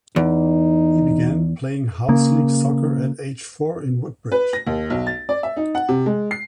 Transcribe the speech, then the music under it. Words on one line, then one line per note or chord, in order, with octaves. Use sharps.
He began playing house league soccer at age four in Woodbridge.
E2 D#4
C#3 A#3
B4
A#6
D#2
B1
A6
D5
E5
D#4
F#5
C3
G#3
C7